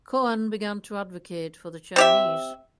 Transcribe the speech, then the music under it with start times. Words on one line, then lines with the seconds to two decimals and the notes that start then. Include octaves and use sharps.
Cohen began to advocate for the Chinese.
1.96 C4 G4 E5